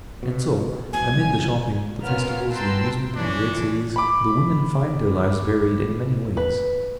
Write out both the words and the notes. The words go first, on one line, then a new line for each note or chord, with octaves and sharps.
And so, amid the shopping, the festivals, the amusements of the great cities, the women find their lives varied in many ways.
B2
A1 B2 G#5
C2
B3 C#4 F4 A#4 F6
B4 G5 A5 A#5 C6 E6
E3 C#4 D4
B5 D6
B4